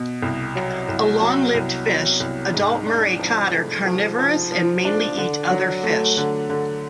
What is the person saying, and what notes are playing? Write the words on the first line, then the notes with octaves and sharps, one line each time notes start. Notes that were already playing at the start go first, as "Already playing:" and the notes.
A long-lived fish, adult Murray cod are carnivorous and mainly eat other fish.
Already playing: B2
C2
F#3
C2
F#3
C2
F#3
C2
G#2
D4
F3
A3
F3
F3
F3
D4
D3
F#3
A3
D3
D3